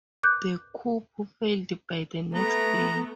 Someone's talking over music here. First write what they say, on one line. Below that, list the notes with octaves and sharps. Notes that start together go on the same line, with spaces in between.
The coup failed by the next day.
D6 F#6 G6
A3 B3 A#5